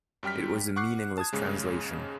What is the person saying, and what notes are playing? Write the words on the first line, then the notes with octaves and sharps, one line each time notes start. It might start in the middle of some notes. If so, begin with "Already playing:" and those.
It was a meaningless translation.
F#2 G3 G5 F6 B6
F#5 C#6 D6 F#6 C7
A5 D#6 G#6
D#2 G#2 C#3 G#3